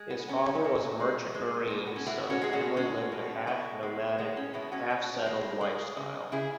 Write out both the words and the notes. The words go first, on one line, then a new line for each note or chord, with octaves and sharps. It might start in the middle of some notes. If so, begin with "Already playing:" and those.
His father was a merchant marine, so the family lived a half-nomadic, half-settled lifestyle.
Already playing: G#3
B3
B2 C#4
C#4
B2
G#3
G#3
B2
B3
C#4
B2 B3 E4
C#4 F#4
G#3 G#4
C#4 F#4
G#3 C#4 F#4
B2
B2 B3 E4
G#3
G#3 B3
C#4
B2 B3 E4
C#4 F#4
B2
G#3
G#3
C#3
C#3 E4 G#4